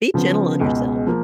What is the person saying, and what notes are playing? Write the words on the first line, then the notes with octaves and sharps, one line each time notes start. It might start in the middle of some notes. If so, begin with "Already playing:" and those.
be gentle on yourself.
C#3 F3 B3
C#2 B2 G#3
F3 A#3